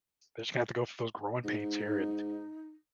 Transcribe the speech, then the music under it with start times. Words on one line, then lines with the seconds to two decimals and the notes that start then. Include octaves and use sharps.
I just gonna have to go through those growing pains here, and,
1.45 G#2 D#4